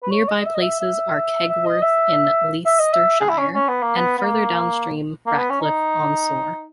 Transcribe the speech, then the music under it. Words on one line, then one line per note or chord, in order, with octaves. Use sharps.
Nearby places are Kegworth in Leicestershire and, further downstream, Ratcliffe on Soar.
B4
C#5
D#5
E5
D#5
E5
E5
E5
D#5
E5
E5
D#5
E5
G#4
E4
C#4
C#4
B3
A#3
B3
B3
A#3
A#3
B3
C#4
D#4